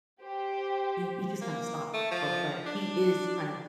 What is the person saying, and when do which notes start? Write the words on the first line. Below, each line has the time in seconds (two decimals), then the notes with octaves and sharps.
he he just kinda stopped. Oh, but he is kind of
0.23 G4 C5
1.42 A#3
1.94 A3
2.11 F3
2.66 D4